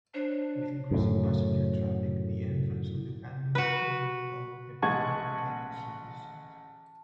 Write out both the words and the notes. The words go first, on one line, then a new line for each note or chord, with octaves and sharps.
With increasing passenger traffic, the entrance on the Gandhi-Irwin Road eventually became insufficient.
D4 C5 C#5
F#2 A2
F#4 B4
A1 G#3 F#5 A5 C#6 G#6